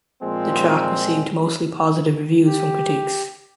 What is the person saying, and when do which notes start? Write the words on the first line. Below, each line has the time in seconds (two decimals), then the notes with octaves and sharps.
The track received mostly positive reviews from critics.
0.21 A#2 F3 G#3 C4
2.45 G4